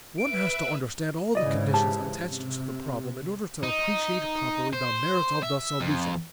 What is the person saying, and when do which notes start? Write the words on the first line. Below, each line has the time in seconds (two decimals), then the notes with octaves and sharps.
One has to understand all the conditions attached to the problem in order to appreciate properly the merit of the solution.
0.18 B4 E5 D7
1.35 G#2 C#3 E3 D5 D#5
1.74 G4 A5
2.30 C3
3.63 D#4
4.73 C5
5.43 E5
5.81 F2